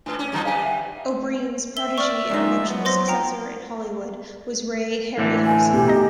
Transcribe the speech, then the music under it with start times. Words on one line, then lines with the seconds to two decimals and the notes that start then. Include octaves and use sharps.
O'Brien's protege and eventual successor in Hollywood was Ray Harryhausen.
0.06 G#2 D4 B4
0.19 C#4
0.32 F#2 D3 F3
0.45 G3 D4 B4 F5 G#5
0.64 E5 F#5 G5
1.77 E5 G7
1.98 D5 C#6 F6
2.29 F#2 F3 G#3 D#4
2.69 F#3 B3
2.85 C5 C6 A#6
3.08 F3 G5 A#5
5.18 A2 D3 E3
5.45 G#5
5.73 E2 B2 G4
5.88 D#4 D#5